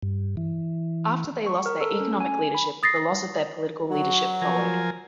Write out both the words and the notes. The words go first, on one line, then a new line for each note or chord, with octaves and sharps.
After they lost their economic leadership, the loss of their political leadership followed.
G2
E3
C#6
A#4
A4
C#4
G#5
B5
D#6 A6 A#6 C7
F#3 F#4
F3 A#4 G#5